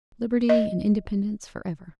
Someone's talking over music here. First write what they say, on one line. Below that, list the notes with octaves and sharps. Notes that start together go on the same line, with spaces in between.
Liberty and Independence for Ever!
D#5